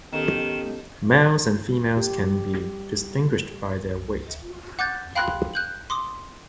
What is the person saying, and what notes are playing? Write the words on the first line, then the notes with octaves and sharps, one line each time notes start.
Males and females can be distinguished by their weight.
D#3 B3 C#4 G4 A4 E7
G4
G3
F#5 D6 F#6 G6 A6
F5 G5 B5 C6 F#6
F#6 G6 F#7
C6 D6 D#6